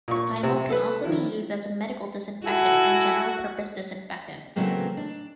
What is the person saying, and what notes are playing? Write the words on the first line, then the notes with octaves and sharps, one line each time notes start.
Thymol can also be used as a medical disinfectant and general purpose disinfectant.
A#2 C#6
C3
A4 B4
D#3 F3 E4
E4 F#4 A4 G#5
C#3 E3 F#3 A3 A#3 C4
D4